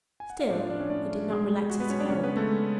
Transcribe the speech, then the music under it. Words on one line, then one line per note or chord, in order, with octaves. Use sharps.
Still he did not relax his hold.
G#5
F#5
F5
A2 D4 D5
F4 F5
F3 D4 D5
C#4 C#5
A2 D4 D5
A3
B2 G#3 G#4
G#3
G#3 F#4
B3 B4
B2 C#4 C#5
D4 D5
C#3 C#4 C#5
B3 B4
G#3
A3 A4
G#3